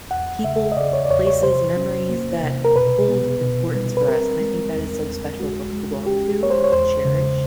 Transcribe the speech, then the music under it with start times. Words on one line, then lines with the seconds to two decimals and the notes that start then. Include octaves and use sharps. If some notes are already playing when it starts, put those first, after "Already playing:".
people, places, memories that hold importance for us, and I think that is so special to hold onto and to cherish.
0.11 E2 F#5
0.44 C#3 E5
0.72 D#5
0.77 C#3 D5
0.93 C#5
1.05 D5
1.10 E2 C#5
1.27 C#5
1.43 C3 C5
1.77 C#4
2.09 A#3
2.43 C3
2.65 A#4
2.76 B2 B4
3.08 B3
3.42 B2
3.75 G3
3.97 B4
4.07 C4 A#4
4.40 G#3
4.74 E2
5.07 E2
5.40 G#3 F#4
5.73 G#3
6.06 C#4 G4
6.40 G#3 C#5
6.50 C5
6.64 C#5
6.72 E2 C5
7.05 C#3